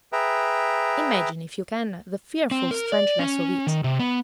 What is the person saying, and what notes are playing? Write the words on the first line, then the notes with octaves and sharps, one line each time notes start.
Imagine if you can the fearful strangeness of it!
G#4 B4 E5 G5 A#5
C4
A#4
D5
C#4
D#3
C3
B3